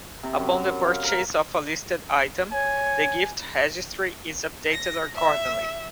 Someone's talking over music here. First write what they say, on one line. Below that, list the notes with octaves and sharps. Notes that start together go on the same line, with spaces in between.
Upon the purchase of a listed item, the gift registry is updated accordingly.
C3
F#2
F5
A#4
C#5 G#5
A#6
E5